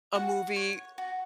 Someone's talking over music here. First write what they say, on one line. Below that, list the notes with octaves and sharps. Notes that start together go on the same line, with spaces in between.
a movie
F#4 F#5
C#5
F#4